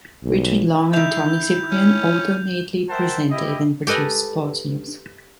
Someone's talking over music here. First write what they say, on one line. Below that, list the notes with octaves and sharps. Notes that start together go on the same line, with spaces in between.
Richard Long and Tony Ciprian alternately presented and produced sports news.
B1
D#3 E4 E5 G6 F7
C#4
A#4 C5 E5 F#5 G5 A5
E4 G4 D#5
G4 A4 B4 D#5 G#5